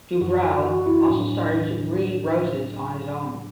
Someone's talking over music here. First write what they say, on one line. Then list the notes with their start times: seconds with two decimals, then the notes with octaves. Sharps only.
Dubreuil also started to breed roses on his own.
0.21 F#2 E3 F#4
0.43 F#4
0.64 F#4
0.79 F#4
0.86 E4
1.07 A2 F#3 D4